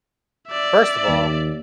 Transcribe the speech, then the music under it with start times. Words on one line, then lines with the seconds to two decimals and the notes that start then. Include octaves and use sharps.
first of all
0.48 D5 E5
1.08 D#2